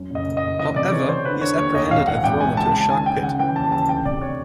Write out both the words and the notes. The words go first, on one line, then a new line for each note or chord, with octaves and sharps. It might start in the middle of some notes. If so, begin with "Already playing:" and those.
However, he is apprehended and thrown into a shark pit.
Already playing: F#2
F#1 D#5
F#1
D#5
F#1
E3 D#5
C3 D5
E3 C#5
E3 C5
D3 B4
D3 C#5
D#2 C#5
D#2 D#5
G#1 F5
E3 F#5
G#1 G5
G#2 G#5
C#2 A5
C#2 A5
D#3 G#5
D#3 G5
C#3 F#5
E3 G5
D#2 A5
C#3 A5
D2 G5
C3 D5
C#5